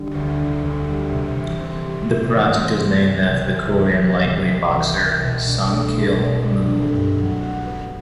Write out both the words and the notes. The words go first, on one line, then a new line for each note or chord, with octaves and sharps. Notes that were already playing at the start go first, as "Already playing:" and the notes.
The project is named after the Korean lightweight boxer Sung-Kil Moon.
Already playing: D3 G3
D2
D3
D2
G3
C3
E3
C4
G3
C3
E3
C4
G3
C2
C3
C2
E3
C2
C3
C2
E3
C2
B2
D4
A3
C2
B2
D4
A3
G2
F#3
F#4
B3